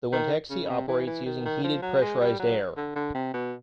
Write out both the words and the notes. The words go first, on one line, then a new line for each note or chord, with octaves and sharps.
The Windhexe operates using heated pressurized air.
D#3
C#3
C#3
C3
E3
E3
D#3
D#3
F3
F#3
G#3
G3
F#3
D3
D3
C3
B2